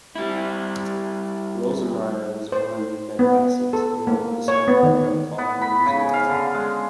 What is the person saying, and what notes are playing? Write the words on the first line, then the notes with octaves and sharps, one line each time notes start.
Rosenmeyer was born in Manhasset, New York, the son of Debra and Colin Rosenmeyer.
G3 E4
C5
B3
A4
A#3
C#5
B3
D#3
B3
B5
C#3
F5
D3
G#3